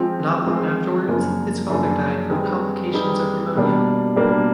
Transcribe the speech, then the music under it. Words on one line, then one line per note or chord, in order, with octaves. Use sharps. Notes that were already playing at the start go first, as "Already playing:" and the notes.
Not long afterwards his father died from complications of pneumonia.
Already playing: F3 G#3 C4 F4
F3 G#3 C4 F4
F#2 C#3 F3 A#3 D4
F#2 C#3 F3 A#3 D4
G3 C4 D#4 G#4 B4
G3 C4 D#4 G#4 B4
B2 G3 A#3 D4
B2 G3 A#3 D4